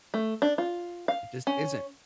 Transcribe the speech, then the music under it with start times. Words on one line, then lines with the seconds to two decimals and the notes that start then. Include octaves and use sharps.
It just isn't.
0.14 A3
0.42 D4
0.58 F4
1.08 F5
1.47 C#4